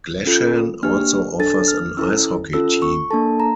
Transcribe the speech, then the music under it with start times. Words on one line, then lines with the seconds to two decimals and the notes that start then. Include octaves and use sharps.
Glashan also offers an ice hockey team.
0.25 C#4 F4 A4
0.83 A#3 D4 G4 F6
1.39 D4 A4 A6
1.68 F6
1.97 C#4 E4 A4 E6
2.53 C#4 F4 A4 E6
2.82 C#6
3.11 A#3 D4 A4 A5
3.40 A#5